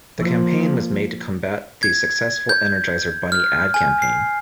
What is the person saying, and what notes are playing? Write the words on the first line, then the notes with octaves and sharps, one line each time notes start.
The campaign was made to combat the successful Energizer Bunny ad campaign.
F3 A#3
G#6
G6
F6
G#5
C7